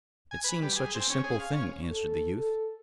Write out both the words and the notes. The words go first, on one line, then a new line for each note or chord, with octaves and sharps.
"It seems such a simple thing," answered the youth.
G#5
B4
G3
G#4
C4
C#4
G#4
F5
C#4
A4
A4